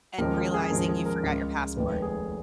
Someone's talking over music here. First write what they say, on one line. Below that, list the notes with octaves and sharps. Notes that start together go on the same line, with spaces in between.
and realizing you forgot your passport."
D#2 C#3 F3 G#3 A#4
A#4
G#4
D#2 C#3 F3 G#3 A#4
G#4
A#4
C#2 C#3 G#3
F1 D#2 D#3 G#3 B4
G#4